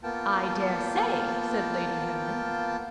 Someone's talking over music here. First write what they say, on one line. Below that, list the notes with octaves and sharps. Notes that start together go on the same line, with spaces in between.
"I dare say," said Lady Henry.
A#3 B3 F4 G5 A5